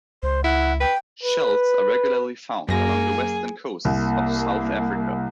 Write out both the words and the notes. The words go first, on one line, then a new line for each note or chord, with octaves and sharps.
Shells are regularly found along the western coasts of South Africa.
C#2 C5
E4 F#5
B4 G5
B4
F#2 A#3 G#4 A#6
C2 A#3